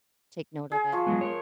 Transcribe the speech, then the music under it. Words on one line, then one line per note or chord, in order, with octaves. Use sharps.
take note of it.
G#4
F3 C#6
F#3 G#3 B3
A#4 C#5